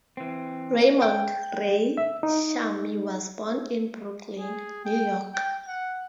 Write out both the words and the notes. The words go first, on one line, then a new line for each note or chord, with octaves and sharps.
Raymond "Ray" Shamie was born in Brooklyn, New York.
E3 C4
G5
E5
D#4
G#4
G5
G5
F#5